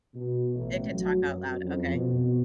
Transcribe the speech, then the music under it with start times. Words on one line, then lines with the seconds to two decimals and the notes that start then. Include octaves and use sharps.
It can talk out loud. Okay.
0.14 B2
0.55 A1
0.94 F#3
1.22 F#2
1.63 F2
1.93 B2